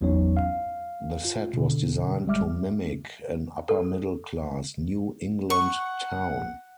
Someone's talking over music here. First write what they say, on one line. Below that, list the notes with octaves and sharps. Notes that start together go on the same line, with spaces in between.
The set was designed to mimic an upper-middle class, New England town.
G#1 E2 F#3 C#4 D#4 C#5
F5
F4
B2 D3
G#1 G3 G#3 E5 D6 F6
A4
F#5 C#6